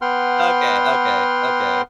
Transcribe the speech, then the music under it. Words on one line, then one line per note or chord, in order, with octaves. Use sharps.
Okay, okay, okay.
B3 B4 F#5 G5 C6 F6